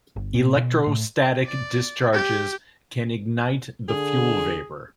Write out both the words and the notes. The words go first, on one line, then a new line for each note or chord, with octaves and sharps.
Electrostatic discharges can ignite the fuel vapor.
G1
A#2
B2
A2
D5
G4
D3 G#4